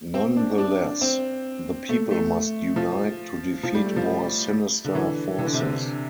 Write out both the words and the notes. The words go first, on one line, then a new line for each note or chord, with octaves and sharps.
Nonetheless, the people must unite to defeat more sinister forces.
C4
D4
D4
C4
A3
A3
F3
F3
G3
A3
F3
D3
E3
E3
D3
C3
D3